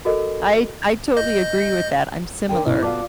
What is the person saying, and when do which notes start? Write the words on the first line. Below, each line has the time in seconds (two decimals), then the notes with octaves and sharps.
I I totally agree with that, I'm similar,
0.05 F#4 A4 A#4 D#5
1.17 D#5 G6
2.49 D#2 D3 A#4 G5
2.66 G#2 B2 C#4 E4
2.83 B2 B3 F4 A4 D5 F5 D6